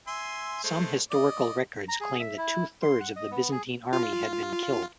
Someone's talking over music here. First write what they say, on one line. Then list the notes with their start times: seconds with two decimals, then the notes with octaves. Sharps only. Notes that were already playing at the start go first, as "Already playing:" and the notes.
Some historical records claim that two thirds of the Byzantine army had been killed.
0.07 E5 G#5 C6
0.64 G#3 A3 C5
1.11 D5 D#5
1.88 A#5
2.01 G#4
2.20 E5
2.38 E4
2.82 C6
3.00 F#5
3.16 D#5
3.31 B3
3.52 G#4
3.93 F4